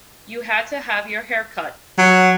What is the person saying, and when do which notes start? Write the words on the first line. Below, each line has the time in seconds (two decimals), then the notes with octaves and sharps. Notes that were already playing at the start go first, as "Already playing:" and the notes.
You had to have your hair cut.
1.98 F#3